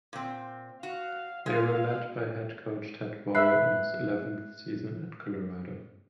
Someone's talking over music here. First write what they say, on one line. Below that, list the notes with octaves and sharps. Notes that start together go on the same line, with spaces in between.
They were led by head coach Tad Boyle in his eleventh season at Colorado.
A#2 C4
F#4 F5
G#3 F5
B4 E5 B5 F#6 C7